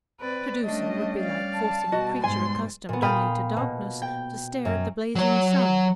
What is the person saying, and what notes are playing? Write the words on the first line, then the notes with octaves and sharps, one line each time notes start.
To do so would be like forcing a creature accustomed only to darkness, to stare at the blazing sun.
C4 B4 D5
G3 A3 C#4 D4 D#5
D5 F5
A5
B2 G3 F#4 D#5
G#2 G#3 G#5 C6
A#2 B3
A#2 F5 G5 B5 D#6
B2
G5
F#2
F#3 C#5